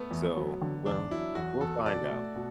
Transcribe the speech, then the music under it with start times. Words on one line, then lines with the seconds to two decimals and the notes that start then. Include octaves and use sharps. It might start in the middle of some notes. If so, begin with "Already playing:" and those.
So, well, we'll find out.
Already playing: A3 B3
0.11 E2
0.36 F#3
0.61 D3
0.86 E2 D4
1.10 F#3 E4
1.35 E2 F#4
1.61 E2 A4
1.85 B2 D5
2.10 A3
2.35 B2